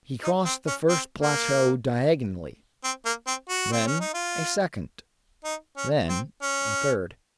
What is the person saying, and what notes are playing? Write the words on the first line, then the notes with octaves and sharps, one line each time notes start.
He crossed the first plateau diagonally, then a second, then a third.
D#4
C4
C#4
C4
A#3
C4
A#3
C4
F#4
C4
C#4
D#4
F4
D#4
C#4
C4
C#4